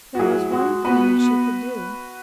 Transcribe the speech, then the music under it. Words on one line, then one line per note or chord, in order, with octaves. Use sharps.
There was one thing she could do.
F#4
F#3 E4 G#4
G#3 F#4
B3 F#4 B4